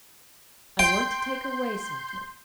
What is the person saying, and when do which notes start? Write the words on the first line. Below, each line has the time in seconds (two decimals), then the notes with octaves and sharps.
I want to take away something.'
0.79 G5 C6 G6